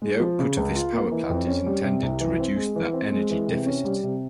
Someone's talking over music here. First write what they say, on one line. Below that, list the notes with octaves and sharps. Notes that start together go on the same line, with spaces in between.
The output of this power plant is intended to reduce that energy deficit.
G#3
F3
C#3
C#2
F4
A#3
E3
F2
C#4
G3
C3
C2
E3
C4
G#3
E3
C4
G#3
E3
C3
C#4
G3
C3